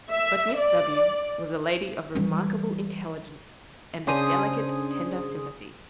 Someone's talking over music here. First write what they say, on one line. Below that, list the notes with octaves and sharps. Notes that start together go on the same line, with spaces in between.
But Miss W--- was a lady of remarkable intelligence and of delicate tender sympathy.
E5
D5
E3 G3
C#3 D4 G#4 C5 G#5 D#6